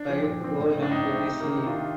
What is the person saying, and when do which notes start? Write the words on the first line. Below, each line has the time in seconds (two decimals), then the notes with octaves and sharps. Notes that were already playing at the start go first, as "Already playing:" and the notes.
Five Go Down to the Sea?
Already playing: D4
0.09 F3 C4
0.25 A#2
0.41 F3 C4
0.58 A2
0.75 A3 C4
0.83 D4
0.90 A2 D#4
1.08 A3 C4
1.23 C3
1.40 D#3 A#3
1.56 C3 D#4
1.67 D4 F4
1.72 D#3 A#3